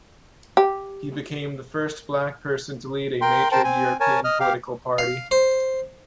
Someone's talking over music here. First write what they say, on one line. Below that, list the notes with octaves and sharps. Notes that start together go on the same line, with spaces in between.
He became the first black person to lead a major European political party.
G4
A#4 G5 C6
A#4 C5 G5 A5
C4 G#5
A#4 C#5 G#5 A5
D#5 F6
G4 F5
F5
C5